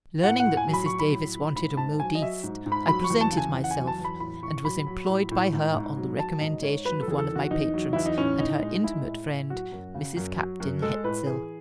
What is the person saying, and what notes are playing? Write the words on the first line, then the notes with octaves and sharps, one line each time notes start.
Learning that Mrs. Davis wanted a modiste, I presented myself, and was employed by her on the recommendation of one of my patrons and her intimate friend, Mrs. Captain Hetsill.
A2 F#5
F#5
A2
G#5
F#3
B5
F#3 C#6
B5
A2
A2
G#2 B5
G#2 A5
F#3 G#5
D#5
F#3 E5
G#2
G#2
B5
F#3 B5
C#6
E2
A5
C#3
G#5
E2
F#5
G#5
F#3
A5
E2
B5
A2 B5
A2 C#6
F#3 B5
F#3
A2
A2
G#2
G#2
F#3
F#3 A5
G#2 D#5
G#2 C#5
F#3 B4
A4
E2 G#4
A4
D#3
F#4
E2 D#4
F#3
E2 E4
D#4
A2 C#4
A2 D#4
G#3 D#4
G#3 E4
A2
A2
F#3 F#4
F#2
C#3
F#2
F#3
F#2
G#3 A4
A2 B4
E3 G#4